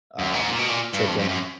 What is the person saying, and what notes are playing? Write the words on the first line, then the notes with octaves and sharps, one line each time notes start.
um, chicken
F#2
G#2
A#2
B2
A#2
G2
F2
F2
F#2